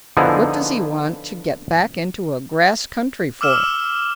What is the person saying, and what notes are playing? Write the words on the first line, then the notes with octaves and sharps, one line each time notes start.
What does he want to get back into a grass country for?
D3 F3 B3 D#4 E4 G#4
D6 E6 F6 E7